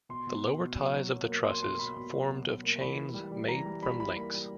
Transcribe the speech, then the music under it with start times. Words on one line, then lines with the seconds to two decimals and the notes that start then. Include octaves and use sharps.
The lower ties of the trusses formed of chains made from links.
0.09 B2 C6
0.27 B2
0.44 B2
0.61 B2
0.78 F#3
0.94 F#3
1.11 F#3
1.28 A#3
1.45 A#3 C6
1.62 B2 C6
1.79 B2 B5
1.96 B2 B5
2.13 F#3
2.30 B2
2.47 B2
2.63 A#3
2.81 E3 B5
2.98 E3
3.14 G3
3.31 G3
3.48 E3 A#5
3.66 G3
3.82 G3 B5
3.99 E3 B5
4.17 A#3 B5
4.34 G3